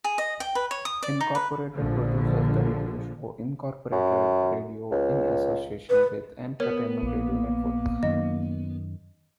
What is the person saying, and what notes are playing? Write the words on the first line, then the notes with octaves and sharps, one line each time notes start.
Incorporated produces the radio show "Incorporated Radio" in association with Entertainment Radio Network.
G#4
D#5
G5
B4
C#5
D#6
D5
D#4
B4
A#1 D3 F3
F#2
C#2
B4
B3 A#4 C#5
A#1 A#2 A#3
F#2 D#3 D#5